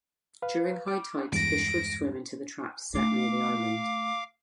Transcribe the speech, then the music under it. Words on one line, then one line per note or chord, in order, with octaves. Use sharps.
During high tides fish would swim into the traps set near the island.
B4 F5
D6
E2 G2 G#3 A#6 D7
A3 D#4 F5 D6